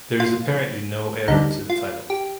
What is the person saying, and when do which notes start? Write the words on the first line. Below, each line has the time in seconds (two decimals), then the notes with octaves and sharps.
There is apparently no heir to the title.
0.20 F4
1.28 D2 D3 G3 D#4
1.70 F4
2.10 G4